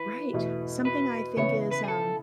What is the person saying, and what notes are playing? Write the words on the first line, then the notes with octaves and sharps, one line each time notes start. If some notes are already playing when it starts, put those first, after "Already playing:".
Right. Something I think is, um,
Already playing: E3 B4
E2 B2 A3
B4
C#3 E3 B3 E4 C#5
B4
G#4
A4